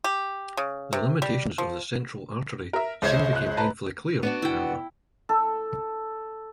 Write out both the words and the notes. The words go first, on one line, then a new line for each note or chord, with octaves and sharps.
The limitations of the Central Artery soon became painfully clear, however.
G4
C#3
C3
G3
F3
A#4 E5
C#2 G#3 C5 C#5
C#2 F#6
B4 A5 A#5
B3 D4 F#4
E4 G5
A4